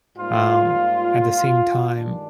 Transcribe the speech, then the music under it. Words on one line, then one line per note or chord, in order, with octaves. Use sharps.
um, at the same time,
G#2 G3 A#3 F4
G2 D#3 G#3 D4